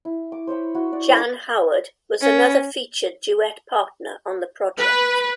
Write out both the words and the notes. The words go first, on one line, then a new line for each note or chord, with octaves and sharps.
Jan Howard was another featured duet partner on the project.
E4
D6
C5 C#5 E5 B5
E4 F#4
F#4 D5
C#4 A4 C#5 D#5
C#4
B4